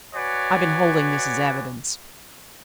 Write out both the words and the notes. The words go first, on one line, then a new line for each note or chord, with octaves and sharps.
I've been holding this as evidence.
F#4 B4 C#5 D5 G#5